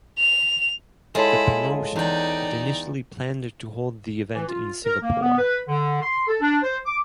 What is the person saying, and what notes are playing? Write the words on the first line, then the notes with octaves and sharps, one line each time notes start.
The promotion had initially planned to hold the event in Singapore.
F7
G#3 E4 F4 A4 C#5 A5
E2 D#4 D5 G5
E3
F4
A#4
A#3
B3
B4
D3
C6
A4
D4
C5
D6